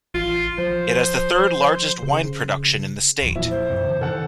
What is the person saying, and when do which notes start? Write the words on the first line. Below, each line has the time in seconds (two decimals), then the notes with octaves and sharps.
It has the third-largest wine production in the state.
0.14 A1 F4
0.58 F3 C5
2.03 C#3
3.22 A#1 E2 F#3
3.36 A#2 F3 E4
3.51 C5
3.70 F#2 C3
3.85 D3 E3
4.01 C3 D#3 A4 F#5 A5